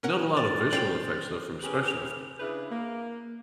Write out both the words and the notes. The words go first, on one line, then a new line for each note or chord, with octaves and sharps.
Not a lot of visual effects, though, from special effects,
C#4 A#4 F#5
D5
C#4 C5 D5 G5
C#4 G4 G#4 A#4 B4
C#3 D4 E4 G#4 B4
A#3